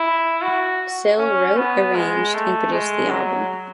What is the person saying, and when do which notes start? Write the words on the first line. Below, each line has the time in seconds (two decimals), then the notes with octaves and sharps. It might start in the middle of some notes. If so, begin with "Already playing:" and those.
Sill wrote, arranged, and produced the album.
Already playing: E4
0.42 F#4
1.18 C#4
1.57 B3
1.95 G#3
2.34 A3
2.72 G#3
3.10 F#3